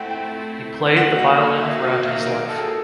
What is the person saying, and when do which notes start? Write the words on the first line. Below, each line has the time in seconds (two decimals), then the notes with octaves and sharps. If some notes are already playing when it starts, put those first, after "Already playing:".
He played the violin throughout his life.
Already playing: A3 C4 E4 F#5 G5
0.10 G5
0.96 D#3 F#3 A#3 D#4 F#4 F#5
1.19 F#5
1.40 F#5
1.62 E5
1.84 F5
2.06 E5
2.27 A#4
2.49 A4
2.58 G#4
2.68 A4